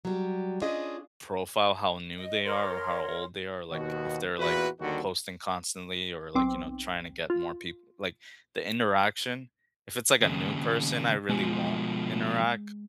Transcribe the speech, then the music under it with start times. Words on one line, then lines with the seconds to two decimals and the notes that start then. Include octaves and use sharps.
profile, how new they are or how old they are, like, if they're, like, posting constantly or, like, you know, trying to get more peop like, the interaction, if it's, like, a new person, I really won't interact,
0.05 F#3 G3
0.61 C#4 D4 F4 G#4 D#5
2.17 D#5
2.45 A#4 C#5 C6
3.72 D#2 B2 F#4
4.39 E2 A#2 E4 F#4 B4
4.80 D#2 D3 D#3 G3 F#4
6.35 B1 C4 D6
7.30 F4
10.21 D#2 C#3
11.29 B2 F3 G#3